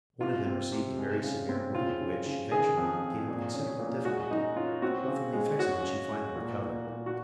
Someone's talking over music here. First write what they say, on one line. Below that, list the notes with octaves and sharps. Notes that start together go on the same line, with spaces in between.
One of them received a very severe wound; which, eventually, gave him considerable difficulty; but from the effects of which he finally recovered.
C3 F4
C4
C3
G#3
C#3
C4
C#3 F4
C#3
C#3
D#3 G#4
F2
F2
A#2
C#4
A#2
G#3 F#4
F#2 D#4
C#4 F4
C4 F#4
C#3
G#3
C#4 F#4
C#4
G#3
A#2
A#2
A#2
F#4